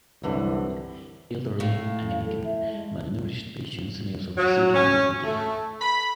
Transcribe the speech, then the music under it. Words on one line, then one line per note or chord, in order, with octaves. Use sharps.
Elderly, anemic and malnourished patients may absorb the suture more quickly.
C2 F#2 D3 E3
A2 F5
A4
E5
G#3
F#3
C#4
A3
B5